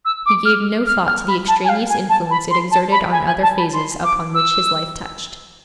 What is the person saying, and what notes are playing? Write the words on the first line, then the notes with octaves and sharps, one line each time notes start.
He gave no thought to the extraneous influence it exerted on other phases upon which his life touched.
E6
D6
F6
F6
F6
B5
A5
G#5
F5
G#5
A5
B5
C6
A5
B5
G#5
G#5
A5
B5
C6
D6
E6